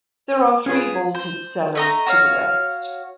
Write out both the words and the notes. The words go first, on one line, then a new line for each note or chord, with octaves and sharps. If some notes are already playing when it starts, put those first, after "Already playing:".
There are three vaulted cellars to the west.
C#4 F4 G#4 B4
C5
A3 D#5 A#5
F#4 C#5 F5